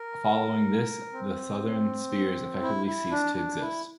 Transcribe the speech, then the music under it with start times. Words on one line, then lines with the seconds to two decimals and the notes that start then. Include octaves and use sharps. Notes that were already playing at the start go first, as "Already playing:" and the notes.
Following this, the Southern Spears effectively ceased to exist.
Already playing: A#4
1.13 C4
2.62 E4
2.86 E4
3.11 D4
3.36 D4
3.61 E4